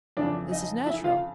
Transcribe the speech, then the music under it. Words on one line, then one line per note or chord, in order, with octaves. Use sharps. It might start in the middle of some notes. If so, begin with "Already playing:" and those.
This is natural.
F2 C#3 E3 D4 D5
D#4 D#5
E4 E5
F4 F5